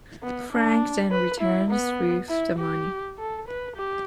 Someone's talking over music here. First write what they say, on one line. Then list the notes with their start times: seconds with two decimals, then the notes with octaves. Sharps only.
Frank then returns with the money.
0.23 B3
0.53 D4
1.11 B4
1.40 E4
1.70 B3
2.29 E4
2.58 G4
3.18 A4
3.48 B4
3.76 G4